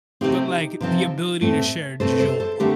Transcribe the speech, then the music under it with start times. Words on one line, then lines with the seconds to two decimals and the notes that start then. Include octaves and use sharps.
but like, the ability to share joy.
0.21 C3 F3 A3 C4 D#4 G4
0.81 C3 F3 A3 C4
1.41 A2 A3 C4
2.00 A2 A3 C4 A4 C5
2.20 A4 C5
2.40 A4 C5
2.60 D3 A3 C4 G4 A#4